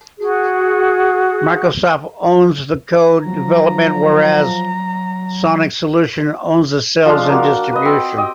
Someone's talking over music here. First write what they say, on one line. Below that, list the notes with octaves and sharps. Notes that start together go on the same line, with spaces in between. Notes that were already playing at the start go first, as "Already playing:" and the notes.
Microsoft owns the code development whereas Sonic Solutions owns the sales and distribution.
F#4 G#4
F3 F#3 A#5
F3 G#3 D4 F5
A#3 F#4
B4 D#5
C4
G4 D#5 G5